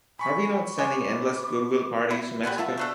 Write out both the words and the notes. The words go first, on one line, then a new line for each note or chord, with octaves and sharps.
Are we not sending endless goodwill parties to Mexico?
G#5 B5 C#6 B6
G#3 D6
E4
G3 C#4 F#5 G#5
F4 E5 A5
A3 D4 A4